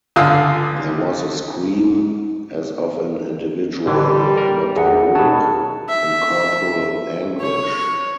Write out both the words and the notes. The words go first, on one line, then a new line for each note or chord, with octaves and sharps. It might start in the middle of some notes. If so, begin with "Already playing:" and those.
There was a scream as of an individual — not a rook — in corporal anguish.
C#2 D3 F4 F5 D#6 E6
A1 D3 E3 G3
A#4
G#1 E2 G#4 F#5
D#2 B2 F#3 A5
E5
C#5